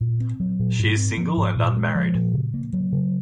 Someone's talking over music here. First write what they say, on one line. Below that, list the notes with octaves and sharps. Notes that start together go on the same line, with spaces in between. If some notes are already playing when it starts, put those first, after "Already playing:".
She is single and unmarried.
A#2
C4
F#3
A#2
G#2
C4
F3
G#2
A#2
G#3
F3
A#2
C#3
A#3
F#3
C#3